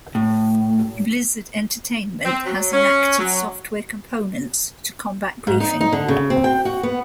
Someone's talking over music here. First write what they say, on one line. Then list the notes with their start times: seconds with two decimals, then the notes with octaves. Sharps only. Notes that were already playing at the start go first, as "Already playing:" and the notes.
Blizzard Entertainment has enacted software components to combat griefing.
0.15 A2
2.24 C4
2.46 F#3
2.72 C#4
3.19 F#3
5.47 G#2
5.60 D#4
5.81 D#4
5.93 D3
6.08 C#3
6.30 C4
6.44 G5
6.65 F#4
6.83 B3